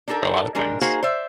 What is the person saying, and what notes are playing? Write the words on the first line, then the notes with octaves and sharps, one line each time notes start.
A lotta things.
D4 D#4 G4 A4 A#4
G3 G#3 D4 A#4
A#3 D#4 F#4 G#4 C5 F5
C5 D5 E5